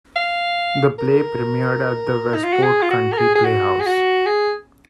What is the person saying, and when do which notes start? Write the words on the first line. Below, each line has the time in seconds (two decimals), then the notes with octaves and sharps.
The play premiered at the Westport Country Playhouse.
0.16 F5
0.99 A#4
2.34 D#4
2.44 F4
2.53 F#4
2.63 G#4
2.82 F4
2.91 F#4
3.12 A#4
3.18 G#4
3.35 G#4
3.44 F#4
3.80 G#4
3.86 F#4
4.26 G#4